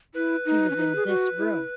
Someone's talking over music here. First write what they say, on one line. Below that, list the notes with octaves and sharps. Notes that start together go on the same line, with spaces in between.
She was in this room.
E4 B4
D#4
C#4
D#4
G#4
F#4
E4